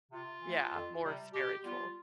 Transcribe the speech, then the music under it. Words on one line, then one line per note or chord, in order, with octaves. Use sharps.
Yeah, more spiritual.
C3 F4
E3 A3
F2
C3 G3
B2 G4
G3 B3 F4